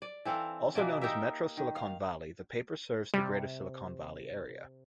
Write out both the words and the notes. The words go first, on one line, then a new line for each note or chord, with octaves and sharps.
Also known as Metro Silicon Valley, the paper serves the greater Silicon Valley area.
D5
E3 C4 A4 F5
B2 E3 A#3 D5
D#4 G4 A#4 E5
D#3
F5
C3 G3